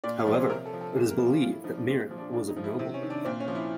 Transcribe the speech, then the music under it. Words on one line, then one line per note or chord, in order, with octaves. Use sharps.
However, it is believed that Mirin was of noble birth.
A#2 D5
C#5
F3
C5
C3 A#4
A4
F3
A4
A#2 G#4
A#4
F3
F4
A2 F4
E4
F3 D#4
D4
A#2 C4
F3
D4
A2 D4
D#4
F3
E4
C3 C4
C#4
D#3
D4
A#2 C4
C#4
F3
E4